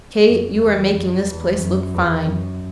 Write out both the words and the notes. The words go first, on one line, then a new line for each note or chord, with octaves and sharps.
Kate, you are making this place look fine.
F#2
E2
F#2
E2
F#2
E2
F#2